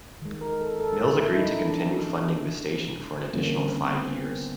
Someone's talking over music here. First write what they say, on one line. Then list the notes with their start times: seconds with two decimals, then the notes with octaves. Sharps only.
Mills agreed to continue funding the station for an additional five years.
0.22 D#3 G#3
0.41 A#4
0.61 A4
0.80 A4
1.00 E4
1.20 E4
1.34 E4
1.38 D#4
1.59 D4
3.34 D3 G3 A#3 C#4
3.60 C4
3.77 C4
3.85 B3
4.02 C4
4.11 B3
4.31 B3